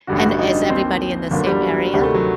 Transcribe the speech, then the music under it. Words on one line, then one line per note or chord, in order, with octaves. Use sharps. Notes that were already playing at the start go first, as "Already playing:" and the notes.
And is everybody in the same area?
A1 G2 D3 F#4
F#4
F#4
D#4
D4
D#2 D#3 C4
G1 F#2 D3 A#3
G3
F#3
D2 C3 D#3 G3
A3
F#3